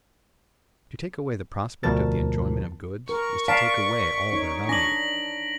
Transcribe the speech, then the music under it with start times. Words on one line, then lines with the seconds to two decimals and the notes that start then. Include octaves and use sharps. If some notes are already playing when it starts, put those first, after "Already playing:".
To take away the prospect of the enjoyment of goods is to take away all their value.
1.83 D2 B2 F3 A#4 A5 A6
3.09 A#4 C#6
3.48 D5 F5 A5 A#5 B6 D7
4.33 D#4 C#5
4.69 D4 G#5 D6 A#6 F#7